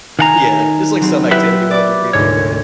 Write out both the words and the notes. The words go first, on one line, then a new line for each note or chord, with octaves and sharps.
Yeah, just like some activity with other people, right.
D#3 F5 F#5 G#5 A#5
F#3 B3 C4
E4 G4 B4 E5
D5 B5 D6
D2 G#2 C3 C#5